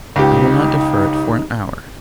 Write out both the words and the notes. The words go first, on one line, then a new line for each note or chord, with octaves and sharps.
I will not defer it for an hour.'
C#2 D#4 G4